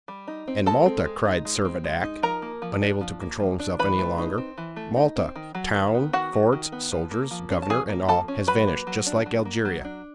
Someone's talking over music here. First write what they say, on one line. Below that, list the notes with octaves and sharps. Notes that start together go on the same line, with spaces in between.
"And Malta," cried Servadac, unable to control himself any longer; "Malta--town, forts, soldiers, governor, and all--has vanished just like Algeria."
G3
D#4
C4
G#3 A4 A5
C4
G#3
D#4
G#3
C4
G#3
D#4
F3 A#4 A#5
A#3
F3
D4
F3
A#3
F3
D4
E3 B4 B5
A3
D#4
C4
E3
A3
D#4
C4
D#3
F#3
D#3
B3
D#3 F#4 F#5
F#3
D#3
B3
F3
A#3
F3
C#4
A5
F3 G#4 G#5
A#3
F3 A4 A5
C#4
F#3 B4 B5
A#3
F#3
D4
F#3
A#3
F#3
D4